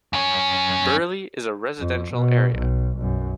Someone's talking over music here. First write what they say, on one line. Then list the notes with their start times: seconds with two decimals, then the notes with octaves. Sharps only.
Burley is a residential area.
0.13 F#2 C#4
1.80 F2
2.13 B2
2.56 B1
2.98 B1 F#2